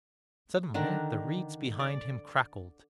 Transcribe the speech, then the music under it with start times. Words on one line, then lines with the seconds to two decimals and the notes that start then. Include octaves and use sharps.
Suddenly the reeds behind him crackled.
0.74 D3 D#3 D4 A#5
1.80 D5